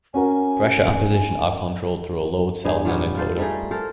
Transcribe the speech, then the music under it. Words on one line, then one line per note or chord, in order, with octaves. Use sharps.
Pressure and position are controlled through a load cell and an encoder.
C#4 F#4 A#4 G#5
G2 D#4 G#4
A#2 D#3 B3 C#5
F4 A4 C5
G3 A3 D#4 G#4
A4 A#4 C5